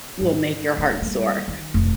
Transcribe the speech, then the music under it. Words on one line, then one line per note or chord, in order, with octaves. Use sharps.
will make your heart soar,
G#2 D#4
D1 C4
G3 A#3
D#3
F1 B1